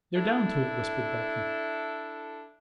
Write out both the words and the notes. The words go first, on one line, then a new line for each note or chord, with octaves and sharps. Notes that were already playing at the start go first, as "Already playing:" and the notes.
"They're down to it!" whispered Breton.
D4 E4 A4